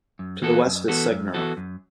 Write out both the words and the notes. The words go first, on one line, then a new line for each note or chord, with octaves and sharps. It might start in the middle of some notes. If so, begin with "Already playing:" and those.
To the west is Segner.
F#2
E3 B3 F#4 A4
F#2
E3 B3 F#4 A4
F#2
E3 B3 F#4 A4
F#2